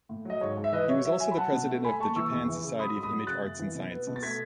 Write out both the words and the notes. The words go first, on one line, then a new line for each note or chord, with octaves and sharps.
He was also the President of the Japan Society of Image Arts and Sciences.
A2
F#3 D#5
G#2 C#5
G#2
E5
E3 B4 D#5
F#3 C#5 E5
F#3 C#5 E5
F#3 E5 G#5
B5
F#3 F#5 A5
B2
A3
A3 G#5 B5
D#2 A5 C#6
E3 C#6 E6
E2
E3
C#3
F#3 B5 D#6
G#2
B5 D#6
F#3
C#3 F#6 A6
F#2
E3
B2
B3
B2
A6
A3 G#6 B6